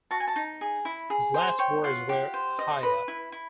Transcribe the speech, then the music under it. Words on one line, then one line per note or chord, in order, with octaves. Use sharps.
His last words were, Higher.
F#4 A5
G#5
A5
D#4
G#4
E4
G#4
C5
C#5 G5
F4 F#5
G4
C5
D#5
B4
E4
E4